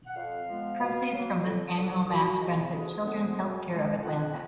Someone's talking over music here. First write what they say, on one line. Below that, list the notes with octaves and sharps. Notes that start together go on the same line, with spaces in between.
Proceeds from this annual match benefit Children's Healthcare of Atlanta.
F#5
F2 F5
F3 G#3 B3
B2
F#3 A#3
F2
D3 F3
A#2 F#4
F3 G#3 B3
D2 G#4
D3 F3 B3
F#2
F3 G#3
F2 F#5